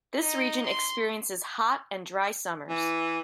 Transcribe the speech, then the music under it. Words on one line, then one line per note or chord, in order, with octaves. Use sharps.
This region experiences hot and dry summers.
D#4
C6
E3